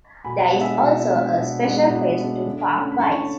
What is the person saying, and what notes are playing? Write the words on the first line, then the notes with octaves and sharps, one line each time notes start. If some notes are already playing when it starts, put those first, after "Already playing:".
There is also a special place to park bikes.
B2 G#5 B5
B5
F#5 A5
G#3 B3 D4
E5 G#5
B2
G#3 B3 D4
B2
G#3 B3 D4
B2
G#3 B3 D4
D3
A3 C#4
B5
D3 A5 C#6